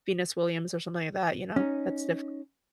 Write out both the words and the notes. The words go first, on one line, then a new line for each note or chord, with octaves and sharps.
Venus Williams or something like that. You know? That's diffi
C#4 D#4